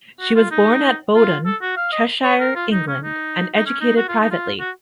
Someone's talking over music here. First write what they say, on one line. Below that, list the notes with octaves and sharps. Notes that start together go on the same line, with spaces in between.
She was born at Bowdon, Cheshire, England and educated privately.
F#4
F4
D#4
F4
A4
F#4
F5
D#5
C#5
A#4
F4
D#4
C#4
D#4
D#4
C#4
D#4
F#4
F4
D#4
F4
F#4